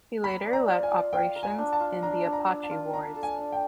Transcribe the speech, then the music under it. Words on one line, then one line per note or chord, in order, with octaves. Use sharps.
He later led operations in the Apache Wars.
A#4 B5
D5
A#5
F4
G#5
F4
F4 G5
A#4
G#5
D4
A5
F4
D4 A#5
D4
A#5
D4
A5
F4
D4 A#5
A4
G#5
D4
G5